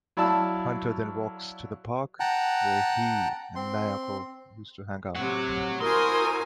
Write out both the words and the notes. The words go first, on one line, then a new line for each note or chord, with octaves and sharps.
Hunter then walks to the park where he and Nayako used to hang out.
F#3 E4 D5 F5 A5 E6
F#5 G5 A5 A#5 F#6
C4 C6
A2 C3 C#5 F#5
E4 F#4 A#4 C5 G#5 C6 D#6